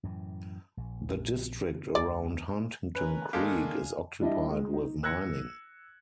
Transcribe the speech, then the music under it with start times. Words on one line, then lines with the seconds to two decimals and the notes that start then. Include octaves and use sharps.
The district around Huntington Creek is occupied with mining.
0.03 F#2 A2 E3
0.77 A#1
1.95 D2 D5
2.95 C#4 A#4 B4
3.33 D#3 G#3 A#3 D4 G4 A4 F5 G#5
4.22 G3 D4 E4 D#5
4.50 G#3
4.73 D#4
5.03 E6 F#6 G#6 A#6 C#7